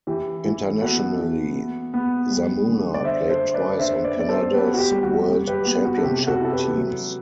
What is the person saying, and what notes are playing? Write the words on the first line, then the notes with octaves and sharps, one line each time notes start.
Internationally, Zamuner played twice on Canada's world championship teams.
E3 G4
E3
B3 F#4 A4
E3
B3
B3
G3
D3
D5
D3 C5 E5
A4 C5
A3
B4 D5
D4 C5 E5
B4 D5
B3 D5
A4 C5
B3 G4 B4
F#4
G4
G3
F#4
F#3 G4
G4 B4
B3 G4
F#4
A4
C3 G4
G4
F#4 A4
E4 A4
G4 B4
F#3